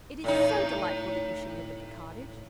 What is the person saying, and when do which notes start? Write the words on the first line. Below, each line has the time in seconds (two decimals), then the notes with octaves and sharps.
It is so delightful that you should live at the cottage!
0.24 A2 D#4